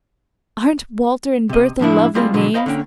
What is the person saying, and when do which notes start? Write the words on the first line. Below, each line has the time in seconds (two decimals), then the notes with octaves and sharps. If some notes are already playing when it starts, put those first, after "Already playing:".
Aren't Walter and Bertha lovely names?
1.49 C3 D#5
1.79 A2 F3 D4 E4
2.15 G3 G#3 C4 F4 D#5
2.34 B2 D3 F3 F#3
2.54 C5 D#5 F5 A#5 B5
2.66 D3 A#3 C#4 G5